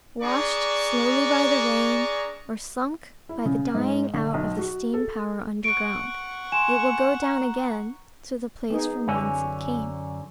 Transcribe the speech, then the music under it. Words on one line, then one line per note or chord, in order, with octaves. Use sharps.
Washed slowly by the rain, or sunk by the dying out of the steam- power underground, it will go down again to the place from whence it came.
D4 G#4 D5 A#5 C#6
E4
C#3
G#2
D3
B1
F#4
A4
F#5 C#6 D7
G#5 C6 E7
A#5
B3 D#4 G#4
F#2 D3 C#4